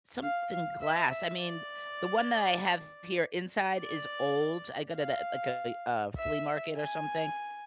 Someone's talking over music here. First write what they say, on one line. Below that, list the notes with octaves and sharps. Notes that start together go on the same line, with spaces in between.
something glass, I mean, the one that I have here inside is old, I got it at, like, a a flea market or something,
F5
F5
E5
E5
D5
D5
F5
E5
G#5